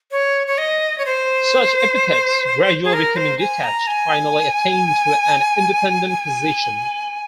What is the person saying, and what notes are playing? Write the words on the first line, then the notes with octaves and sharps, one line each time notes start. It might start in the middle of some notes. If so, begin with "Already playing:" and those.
Such epithets gradually becoming detached finally attained to an independent position.
C#5
C#5
D#5
C#5
C5
G#4
A#4
C5
G#5
A#5
G#5